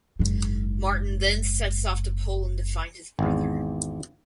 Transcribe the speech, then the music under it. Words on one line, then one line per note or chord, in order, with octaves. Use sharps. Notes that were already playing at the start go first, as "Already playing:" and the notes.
Martin then sets off to Poland to find his brother.
F#1 G#2
G#1 E2